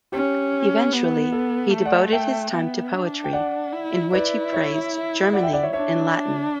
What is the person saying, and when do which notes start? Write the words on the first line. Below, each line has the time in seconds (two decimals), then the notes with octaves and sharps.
Eventually he devoted his time to poetry, in which he praised Germany in Latin.
0.12 C#4 G4
0.92 B3
1.32 A4
1.73 A3
1.85 D5 F#5
2.13 E5 G5
2.53 B3
2.93 D4
3.24 G5
3.33 D5 F#5
3.73 E4
4.13 E4 B4 D5
4.53 C#5 E5
5.33 D5 F#5
5.43 E5 G5
5.53 D5 F#5
5.63 C#5 E5
5.73 D4 C#5 E5